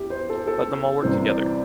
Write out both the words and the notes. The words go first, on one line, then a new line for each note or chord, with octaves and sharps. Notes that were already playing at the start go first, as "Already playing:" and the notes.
Let them all work together.
Already playing: E2 E3 G4 E5
C5
A4
A4
C2 C3 E3 C5
D5